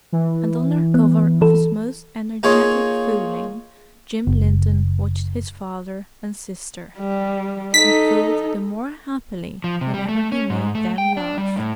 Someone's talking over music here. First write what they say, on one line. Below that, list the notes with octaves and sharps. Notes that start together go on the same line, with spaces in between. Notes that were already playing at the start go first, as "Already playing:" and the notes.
And under cover of his most energetic fooling Jim Linton watched his father and sister, and fooled the more happily whenever he made them laugh.
E3
B3
E3 A4
A#3 D#4 F4 G#4 C#5
F#1
G3
D#4 A4 B6
F3
C3
G3
A3
C#4
G#2
A3
G5
D4
G3
A2